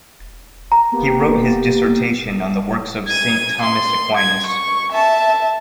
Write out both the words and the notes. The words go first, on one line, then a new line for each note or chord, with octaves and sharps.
He wrote his dissertation on the works of Saint Thomas Aquinas.
A#5
A#3 B3 G4
G#6 D#7
C6
G#6
C#6
E5 A5